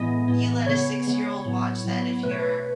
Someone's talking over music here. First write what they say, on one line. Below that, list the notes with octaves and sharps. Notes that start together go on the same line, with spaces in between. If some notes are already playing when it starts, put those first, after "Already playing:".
you let a six-year-old watch that if you're
Already playing: A2 E3 G#3 B3 D#5
A2 E3 G#3 B3
C#3 G#3 B3 C#5
C#3 G#3 B3
A2 F#3 B3
A2 F#3 B3
B2 A3 B4
C#5
B4